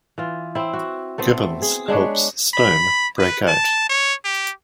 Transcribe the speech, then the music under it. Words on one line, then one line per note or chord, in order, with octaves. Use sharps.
Gibbons helps Stone break out.
E3 F4
C4 E4
F#4
A3 B3 C4 E4
G#4
G#3 D4 B4 C#5
B5
B4
A5
C#5
G4